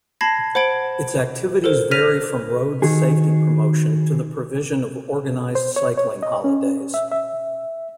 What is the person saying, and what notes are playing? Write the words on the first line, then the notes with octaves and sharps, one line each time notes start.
Its activities vary from road safety promotion to the provision of organised cycling holidays.
A5 B5 G#6 A#6 C7
C5 F#5 B5 G#6 D7
A4 A#4 C5
F6 A#6 B6 D#7 F7
D#3 F#4 G#4
C5
C#5
C#5
D#5
C#4
E5
E5